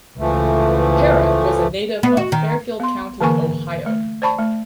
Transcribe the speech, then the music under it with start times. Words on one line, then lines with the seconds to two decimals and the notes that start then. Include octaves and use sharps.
Parrott was a native of Fairfield County, Ohio.
0.19 C#2 E3 F3 A3
2.03 B3
2.17 F#4
2.32 D#3
2.80 B3 C6
3.21 D3 E3 A#3 A#4 G#5 C#6
3.86 A3
4.22 C5 D5 A5 B5 C#6
4.38 A3